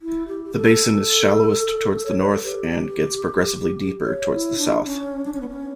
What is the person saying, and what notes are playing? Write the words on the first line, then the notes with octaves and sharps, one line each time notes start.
The basin is shallowest towards the north and gets progressively deeper towards the south.
E4
G4
G4
A4
C#5
B4
A4
G4
C#5
E4
D4
C#4
D4
C#4
B3
C#4